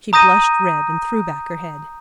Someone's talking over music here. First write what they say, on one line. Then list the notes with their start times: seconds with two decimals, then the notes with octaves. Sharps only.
She blushed red and threw back her head.
0.13 A#5 D#6 G6 A#6 D#7